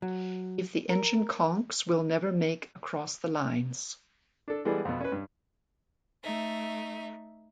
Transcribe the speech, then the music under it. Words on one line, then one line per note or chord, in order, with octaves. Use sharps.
If the engine conks we'll never make across the lines.
F#3
A#4
D4 A4
E3 G3 G#3 B3 G#4 A4
F2 B2
C#4 B4
G2
A3 D#4 E5